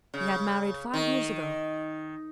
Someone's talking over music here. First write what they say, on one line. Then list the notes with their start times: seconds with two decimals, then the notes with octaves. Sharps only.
He had married five years ago.
0.14 C#3
0.93 D#3